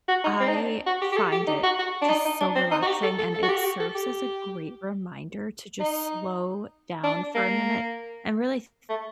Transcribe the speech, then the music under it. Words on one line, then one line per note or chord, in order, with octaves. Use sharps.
I find it just so relaxing, and it serves as a great reminder to just slow down for a minute and really th th
F#4
D#4
C4
D#4
D4
F#4
G4
G4
A4
G4
D#4
F#4
F#4
D4
D#4
D#4
D4
C4
D#4
F#4
G4
A4
A4
A4
F#4
G4
F#4
G4
A4
G4
D#4
D4
A#3
A3